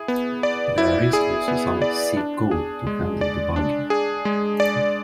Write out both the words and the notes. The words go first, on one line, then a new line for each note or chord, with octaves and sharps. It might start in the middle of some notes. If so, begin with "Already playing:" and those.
There is also some C code to handle debugging.
Already playing: E4 G#4
B3
D5
E4
G#4
B3
D5
D4
G#4
G#3
D5
D4
G#4
G#3
D5